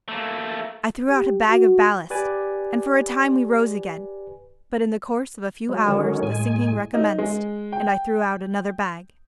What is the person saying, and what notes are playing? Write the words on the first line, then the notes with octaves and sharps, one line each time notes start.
I threw out a bag of ballast, and for a time we rose again, but in the course of a few hours the sinking recommenced, and I threw out another bag.
A3 A#3
G4
F#4
G4 B4 D5 G#5
F#3 G#3
D3 D#3 F#3 G#3 C#4
A2 G#3 G#5
D#4
G#3
G5